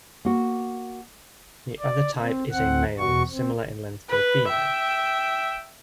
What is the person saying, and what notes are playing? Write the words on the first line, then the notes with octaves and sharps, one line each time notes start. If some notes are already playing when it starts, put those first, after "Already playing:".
The other type is a male, similar in length to the female.
A#3 F#4
D5
C4
D2 C4 F#5
E2 B2 F#4 C#6
C4
B4
E5 G5